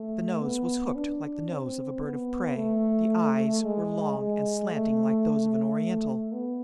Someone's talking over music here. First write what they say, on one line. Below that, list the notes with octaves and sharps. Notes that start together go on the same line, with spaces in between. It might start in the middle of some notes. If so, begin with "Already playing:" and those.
The nose was hooked like the nose of a bird of prey; the eyes were long and slanting like those of an Oriental.
Already playing: A3
B3
D4
C4
B3
A3
G#3
G#3
A3
B3